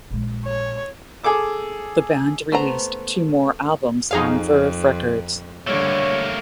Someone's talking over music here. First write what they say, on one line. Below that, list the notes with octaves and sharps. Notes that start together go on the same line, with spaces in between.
The band released two more albums on Verve Records.
A#1 G#3
C#5
G#4 A4 D6 E6
A3 B3 C5 A#5
F2 D#4 G#4 F5
D3 G3 A3 A#3 C#5